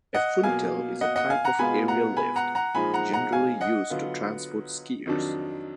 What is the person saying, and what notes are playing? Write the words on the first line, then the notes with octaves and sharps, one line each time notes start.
A funitel is a type of aerial lift, generally used to transport skiers.
D#5 F#5
B2 F#3 A#3 F5 G#5
D#5 F#5
D#5 F#5
F5 G#5
F#5 A#5
B2 G#3 B3 F4 G#5 B5
F#5 A#5
G#5 B5
F#5 A#5
F#5 A#5
A#2 F3 G#3 D#4 G#5 B5
F#5 A#5
F#5 A#5
F5 G#5
D#5 F#5
D3 F#3 B3 F4
F2 D#3 F#3 D4